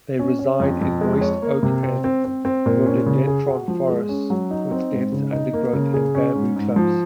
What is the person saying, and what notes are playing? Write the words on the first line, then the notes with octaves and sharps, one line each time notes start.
They reside in moist oak and rhododendron forests with dense undergrowth and bamboo clumps.
C#4
C#5
F2
F2
G#3
C#5
A#3
C3
C4
C4
C4
C4
A#2
C#4
C#3
G#4
F#4
F3
G#3
C#4
F#3
D#4
C4
G#2
C#3
D#4
A#3
C#3
G#4
C#4
G#2
G#2
F3